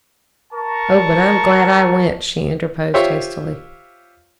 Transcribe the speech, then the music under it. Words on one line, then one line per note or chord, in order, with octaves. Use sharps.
"Oh, but I'm glad I went," she interposed hastily.
A#4 A5 A#5 C#6
F4 G4 C5 C#5 E5